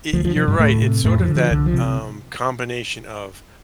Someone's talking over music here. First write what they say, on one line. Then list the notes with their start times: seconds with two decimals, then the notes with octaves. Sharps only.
eh, you're right. It's sort of that, um, combination of,
0.13 D2 F3
0.25 F3
0.36 C3 F3
0.48 G2 G3
0.59 D2 A2 A3
0.82 C3
1.04 F2 A2 A3
1.20 F3
1.28 D3
1.35 F3
1.51 C2 D3
1.66 F3
1.74 C3